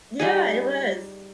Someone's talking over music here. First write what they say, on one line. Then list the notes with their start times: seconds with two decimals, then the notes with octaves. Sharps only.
Yeah, it was.
0.20 G3 D#4 G#4